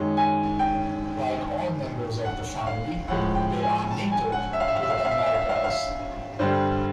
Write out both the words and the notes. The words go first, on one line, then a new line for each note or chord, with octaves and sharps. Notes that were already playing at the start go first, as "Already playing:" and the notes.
Like all members of the family, they are native to the Americas.
Already playing: F#2 D#3 G#3
G#5
G5
F#5
F5
A2 F3 G#3 F#5
G5
G#5
A5
G#5
F#5
E5
F5
E5
F5
E5
F5
E5
F5
E5
F5
E5
F5
E5
F5
E5
F5
E5
G2 D3 G3 C5